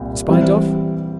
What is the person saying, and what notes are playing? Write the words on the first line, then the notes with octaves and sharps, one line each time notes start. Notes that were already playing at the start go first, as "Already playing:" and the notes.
In spite of?
Already playing: C2 A#2
E3 G3 C4 E4